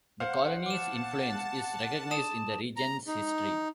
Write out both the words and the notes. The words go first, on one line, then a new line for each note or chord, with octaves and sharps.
The Colony's influence is recognized in the region's history.
C5 F5 F#5
A5 D6 E7
A5 D#6 E7
A#5
D#4